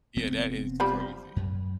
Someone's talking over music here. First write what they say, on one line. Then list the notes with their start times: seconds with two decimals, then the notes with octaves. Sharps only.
Yeah, that is crazy.
0.16 F1 B3 C4
0.80 F3 G3 B5
1.36 F#2